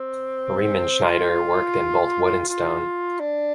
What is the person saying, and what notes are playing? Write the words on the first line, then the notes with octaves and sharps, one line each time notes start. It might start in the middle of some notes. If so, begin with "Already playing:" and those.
Riemenschneider worked in both wood and stone.
Already playing: C4
F4
F4
D4